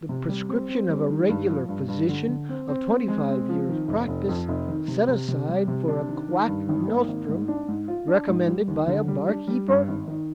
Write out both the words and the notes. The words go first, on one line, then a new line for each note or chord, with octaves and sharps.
The prescription of a regular physician, of twenty-five years' practice, set aside for a quack nostrum, recommended by a bar-keeper!
C3
G3
C4
C4
G3
D#3
G2
F3
G2
G2
D3
D3
C4
C4
C4
G#3
C4
F3
D#3
F1
F1
F2
F1
D#3
C3
C3
C3
G3
C3
D4
D#3
D#3
G2
G#1
A#3
G#1
G#2
D4
G#2
F4
D4
G#2
G3
D#2
D3
G3
D4
G3
G2
G#1
D#3